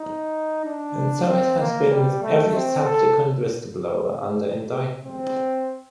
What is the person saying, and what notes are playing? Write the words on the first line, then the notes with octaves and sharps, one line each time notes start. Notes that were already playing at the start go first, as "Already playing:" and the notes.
And so it has been with every subsequent whistleblower under indictment.
Already playing: D#4
D4
C4
A#3
G3
A3
C4
A4
C4